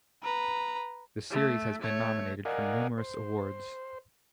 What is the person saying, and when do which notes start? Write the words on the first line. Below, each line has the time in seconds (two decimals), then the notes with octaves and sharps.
The series has been nominated for numerous awards.
0.23 B4 A#5
1.30 A3
1.82 A3 C#5
2.45 A#4 D5 D#5 F5 F#5 G#5
2.98 C5